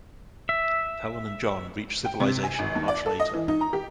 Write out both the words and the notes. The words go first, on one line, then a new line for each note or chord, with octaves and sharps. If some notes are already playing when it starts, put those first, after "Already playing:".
Helen and John reach civilization much later.
E5
G5
C3
G#5
G#1
D#2
D5
A4
D#5
E3
D#4
A#5
G4